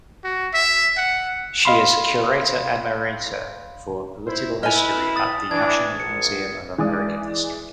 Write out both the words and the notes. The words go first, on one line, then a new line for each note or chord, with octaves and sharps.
She is curator emerita for political history at the National Museum of American History.
F#4
E5
F#5
D#5 F5 B5 C6
E4 C5
E4 B4 D#5 G#5 F6 F7
D#6 A6
E3 D4 G#6
A#1 C#7
E3 G#3 D5 D#6